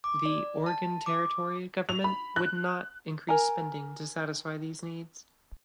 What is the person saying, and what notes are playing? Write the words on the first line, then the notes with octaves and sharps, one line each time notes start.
The Oregon Territory government would not increase spending to satisfy these needs.
D6
D5
A5
D6
F7
B5
F#6
A#4 G#5 A#5